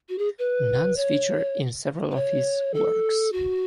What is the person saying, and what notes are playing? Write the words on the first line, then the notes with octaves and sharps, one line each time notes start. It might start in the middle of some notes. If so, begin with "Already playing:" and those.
Nuns feature in several of his works.
F#4
G#4
B4
C#5
B4
C#5
A4
F#4